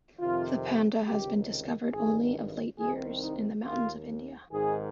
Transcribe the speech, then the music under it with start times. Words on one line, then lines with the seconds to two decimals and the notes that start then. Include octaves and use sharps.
The panda has been discovered only of late years, in the mountains of India.
0.19 F2 C3 D#3 F4
1.06 C#2 C3 D#3 G4
1.92 G#1 G2 D#3 G#4
2.79 C2 C3 D#3 G#4
3.21 D#4
3.64 D#2 D#3 F4
4.51 G#1 G#2 D#3 G#4